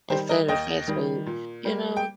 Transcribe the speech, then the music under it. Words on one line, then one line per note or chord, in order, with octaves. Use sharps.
instead of fast food, you know?
D#3 G3 G4 C5
A#4 D#5
D#2 D#5 G5
D#3 G3
A#2
G3 A#3
G5